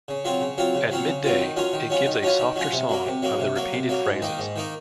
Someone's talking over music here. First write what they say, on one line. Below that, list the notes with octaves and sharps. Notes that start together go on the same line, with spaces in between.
At midday it gives a softer song of repeated phrases.
C#3
F#3 C4 F4
C#3
F#3 C4 F4
C#3
F#3 C4 F4
C#3
F#3 C4 F4
D#3
F#3 C#4 F4
D#3
F#3 C#4 F4
D#3
F#3 C#4 F4
D#3
F#3 C#4 F4
C3
F#3 A#3
C3
F#3 A#3
C3
F#3 A#3
C3
F#3 A#3
G#2
D#3 A#3 D#4
G#2
D#3 A#3 D#4